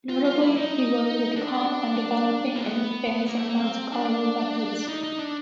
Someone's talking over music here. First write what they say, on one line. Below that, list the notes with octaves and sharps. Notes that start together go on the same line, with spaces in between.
Notably, he worked with Kahn on developing and advancing Monte Carlo methods.
F4
F4
E4
D#4
D4
A#3
B3
A#3
A3
A#3
C4
D4
D#4
D#4
D4